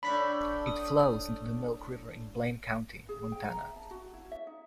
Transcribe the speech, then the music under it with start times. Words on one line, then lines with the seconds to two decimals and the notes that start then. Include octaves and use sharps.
It flows into the Milk River in Blaine County, Montana.
0.03 A2 D4 B5 B6
0.67 D#6
3.09 G#4
3.32 G5
3.50 A#5
3.62 E5
3.76 A5
3.91 F#4
4.13 E4
4.32 E5
4.47 D#4